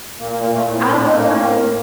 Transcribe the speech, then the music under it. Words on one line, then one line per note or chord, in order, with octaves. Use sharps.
I feel like
A#2 A#3
A#3
A#2
A#3
A#2 A3
A2
C4
A2
D4
A2 C4
A2 A#3
A2
A2
A2